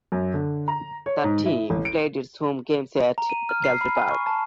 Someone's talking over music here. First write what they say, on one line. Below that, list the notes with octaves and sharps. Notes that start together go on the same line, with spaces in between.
The team played its home games at Calfee Park.
F#2
D3
A#5
C#5
G#2
E4
A1
D7
A#5
D#7
F6
C7
B5
G#5
C#6
A5